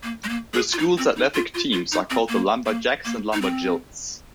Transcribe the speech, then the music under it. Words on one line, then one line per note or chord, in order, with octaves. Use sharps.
The schools athletic teams are called the LumberJacks and LumberJills.
A#3
G#3
A#3
G#4
F4
D#4
C4
D#4
F4
F4
F4
D#4
C4
A#3
A#3
A#3
D#4
C4